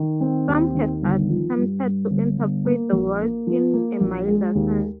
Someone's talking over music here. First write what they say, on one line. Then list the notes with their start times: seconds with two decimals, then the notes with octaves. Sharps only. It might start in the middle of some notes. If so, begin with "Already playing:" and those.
Some have attempted to interpret the words in a milder sense.
Already playing: D#3
0.21 C4
0.48 D#2
0.75 D#3
1.02 G1
1.29 F3
1.57 G2
1.83 G2
2.11 G1
2.38 G1
2.65 A#3
2.92 A#1
3.19 A#3
3.47 F3
3.74 A#3
4.01 A#1
4.28 G#3
4.55 D#2